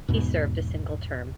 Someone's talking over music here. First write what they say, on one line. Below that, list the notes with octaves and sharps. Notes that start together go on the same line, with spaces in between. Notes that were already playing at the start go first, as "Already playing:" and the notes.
He served a single term.
E2 G#2 B2